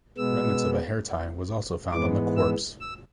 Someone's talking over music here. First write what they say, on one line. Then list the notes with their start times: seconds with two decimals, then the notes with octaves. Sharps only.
Remnants of a hair tie was also found on the corpse.
0.17 B2 G#3 B3 E6
1.92 G#2 E3 G#3 B3 D6
2.37 E6
2.80 E6